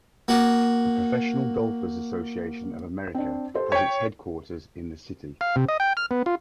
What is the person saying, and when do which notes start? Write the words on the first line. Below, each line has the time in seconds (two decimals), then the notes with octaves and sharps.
The Professional Golfers' Association of America has its headquarters in the city.
0.28 A#3 F#4
3.15 C4 D4
3.54 G4 A4 C5
3.72 C#5 G5 B6
5.41 F5
5.56 C3
5.68 D#5
5.80 G5
5.97 F6
6.11 B3
6.26 F4